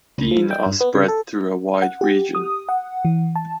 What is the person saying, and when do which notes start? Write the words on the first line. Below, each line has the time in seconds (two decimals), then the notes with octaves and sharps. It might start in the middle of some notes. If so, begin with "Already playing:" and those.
Dene are spread through a wide region.
0.18 C#2
0.31 F3
0.51 G5
0.66 G2
0.81 B3
0.95 C#3
1.08 A4
1.82 F#5
2.01 G4
2.35 D#6
2.69 F#5
3.05 E3
3.36 A5